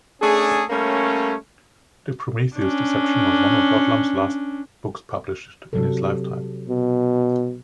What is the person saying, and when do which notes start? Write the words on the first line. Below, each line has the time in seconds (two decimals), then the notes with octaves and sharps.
"The Prometheus Deception" was one of Ludlum's last books published in his lifetime.
0.21 A3 C#4 D4 G#4
0.69 G3 A3 A#3 C#4
2.56 C#4 D4
5.73 C3 F#3 A4
6.69 B2